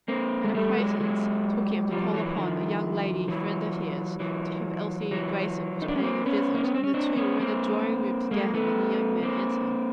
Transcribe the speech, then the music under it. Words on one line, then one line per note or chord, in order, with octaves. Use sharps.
An acquaintance took him to call upon a young lady friend of his, to whom Elsie Grayson was paying a visit, and the two were in the drawing-room together when the young men entered.
A#3 C4
G#3
G3 A3
F#3 G#3
F#3 G#3
F3 G3
E3 F#3
D#3 F3
E3 F#3
E3 F#3
E3 F#3
D#4
D4
C#4
A#3 C4
B3 C#4
A#3
B3
C4
C#4
C4 D4
B3 C#4
A#3 C4
G#3 A#3
A3 B3
A#3 C4